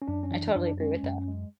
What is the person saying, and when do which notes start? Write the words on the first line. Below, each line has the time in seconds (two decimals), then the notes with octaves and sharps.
I totally agree with that.
0.02 C#4
0.08 F#2 D4
0.23 C#4
0.31 E3 D4
0.55 F#2 D4
0.80 G#3 C#4
1.03 F#2
1.28 G#3